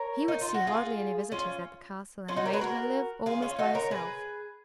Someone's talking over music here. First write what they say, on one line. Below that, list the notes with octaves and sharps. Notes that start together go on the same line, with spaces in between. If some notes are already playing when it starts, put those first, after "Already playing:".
He would see hardly any visitors at the castle, and made her live almost by herself.
Already playing: A#4 C#5
D#4
F4
F#4
F4 G#4
C#4 F4
C#4 F4
D#4 F#4
A#4 C#5
G#4 B4
F#4 A#4
F4 G#4
C#4 F4
D#4 F#4
A#4 C#5
G#4 B4